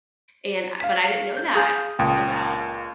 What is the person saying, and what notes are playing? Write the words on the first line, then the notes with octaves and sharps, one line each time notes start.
and I but, I didn't know that about
F5 B6
G6
G#4 F5 G#5 D#6 G6
C#2 A#2 G5 D#6